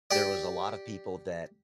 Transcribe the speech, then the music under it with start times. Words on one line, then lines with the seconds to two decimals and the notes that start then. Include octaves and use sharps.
there was a lot of people that
0.11 G4 D5